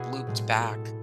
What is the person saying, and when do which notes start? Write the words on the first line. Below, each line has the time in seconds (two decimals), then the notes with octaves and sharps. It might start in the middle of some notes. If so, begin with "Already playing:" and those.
looped back,
Already playing: B2 G#3 E4 F#4 G#4
0.27 A2 G#3
0.61 A4